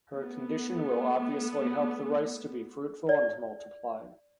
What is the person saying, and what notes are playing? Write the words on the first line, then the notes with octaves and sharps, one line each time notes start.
Her condition will obviously help the rice to be fruitful and multiply.
A3 B3
D5